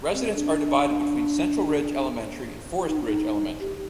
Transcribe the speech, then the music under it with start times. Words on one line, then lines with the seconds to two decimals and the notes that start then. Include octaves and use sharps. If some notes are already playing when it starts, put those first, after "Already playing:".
Residents are divided between Central Ridge Elementary and Forest Ridge Elementary.
0.14 C4
0.34 D4
2.78 F4
2.87 D#4
2.97 D4
3.06 D#4
3.60 G4